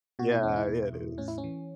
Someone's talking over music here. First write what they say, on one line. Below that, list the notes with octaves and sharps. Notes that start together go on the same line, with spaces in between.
Yeah, yeah, it is.
B2 F#4
E4
E2 C#4
E4
B2
E2
A2 C#4
E4
C#4
E3